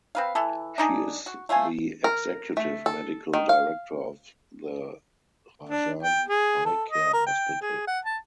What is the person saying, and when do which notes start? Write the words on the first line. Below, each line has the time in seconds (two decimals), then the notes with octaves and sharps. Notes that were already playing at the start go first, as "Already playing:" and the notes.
She is the executive medical director of the Rajan Eye Care Hospital.
0.15 C4 B4 F5
0.35 E3 E4 A4
0.78 D4 D#4 G#4
1.26 F#4
1.49 A3 F4 C5 G#5
2.04 A#4
2.57 A3
2.86 A4
3.34 D#3
3.49 F5
5.69 D4
6.03 G5
6.29 G#4
6.66 A4
6.89 D#5
7.13 A#4
7.26 G5
7.61 G#4
7.87 F#5
8.05 A5